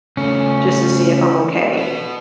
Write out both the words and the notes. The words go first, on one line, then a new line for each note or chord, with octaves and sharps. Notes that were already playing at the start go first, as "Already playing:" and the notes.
just to see if I'm okay.
C#3 A3 C#4
F#4 B4